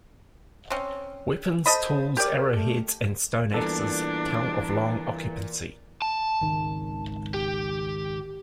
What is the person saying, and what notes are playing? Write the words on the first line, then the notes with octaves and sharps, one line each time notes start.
Weapons, tools, arrow heads and stone axes tell of long occupancy.
C4 C#4
A4 C5 D#5 B5
G4 A#4 D5
A3
A#2 E3 G3 B3 D4 A4
A5
G#1 C#2 D#3
G4